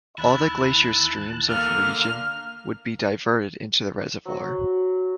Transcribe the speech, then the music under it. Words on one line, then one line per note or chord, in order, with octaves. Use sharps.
All the glacier streams of the region would be diverted into the reservoir.
D#2 E4 A5 F#6
D3 A#3 F6
F#3 F#4